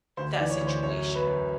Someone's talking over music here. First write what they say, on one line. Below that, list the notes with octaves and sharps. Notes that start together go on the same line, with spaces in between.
that situation?
D2 C5
D5
E3
C#5
D2
C5
F#2 C#5
F#3
B4
F#2